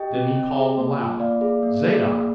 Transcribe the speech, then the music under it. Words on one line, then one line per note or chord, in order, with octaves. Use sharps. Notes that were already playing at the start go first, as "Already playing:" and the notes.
Then he called aloud, Zadok!
Already playing: G4 D#5 G5
C4
C4
G#4
A#3
F4
A#3 D5 F5
G#4
A#3
G#4
A#3